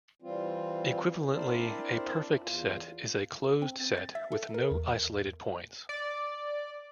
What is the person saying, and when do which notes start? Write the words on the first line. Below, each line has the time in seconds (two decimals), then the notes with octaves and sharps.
Equivalently, a perfect set is a closed set with no isolated points.
0.22 E3 G3 C4 F4
1.33 C4 D4 E4 A#4 C5 D5
2.41 E2 F4
3.62 C4
3.80 A6
3.97 A6
4.15 E5
4.32 A4
4.54 A#4
4.71 E2
5.89 D5